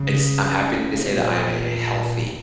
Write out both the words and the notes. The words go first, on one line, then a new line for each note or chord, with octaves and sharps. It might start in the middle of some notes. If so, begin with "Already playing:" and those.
It's I'm happy to say that I am in a healthy
Already playing: C#3
C3
A#2